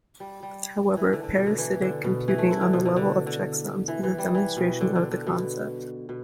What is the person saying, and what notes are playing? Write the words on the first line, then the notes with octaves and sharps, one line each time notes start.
However, parasitic computing on the level of checksums is a demonstration of the concept.
G3
G3
E3
D3
D3
B2
D3
E3
D3
B2
E3
A3
E4
D3
B2
D3
D3
D3
E3
E3
G3
E3
B2
D3
D3
D3
B2
B2